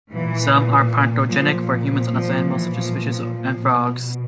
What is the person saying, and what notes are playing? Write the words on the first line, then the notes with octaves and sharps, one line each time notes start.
Some are pathogenic for humans and other animals such as fishes and frogs.
A#2 E3
A#2 F3
F3
F3
A#2 E3
F3
F3
F3
B2